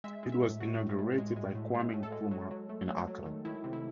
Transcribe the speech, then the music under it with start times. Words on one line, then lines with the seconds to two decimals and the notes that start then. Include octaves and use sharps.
It was inaugurated by Kwame Nkrumah in Accra.
0.04 G#3 E5
0.23 G#3
0.32 E5
0.42 A2
0.60 A2 F#4
0.79 A2
0.99 A2
1.18 G#3
1.36 G#3
1.55 A2
1.74 G#3
1.94 A2
2.03 A4
2.12 G#3
2.31 F#3
2.51 F#3
2.69 A3
2.88 F#3
3.07 F#3
3.26 D#3
3.45 D#3 E4
3.64 C3
3.73 E4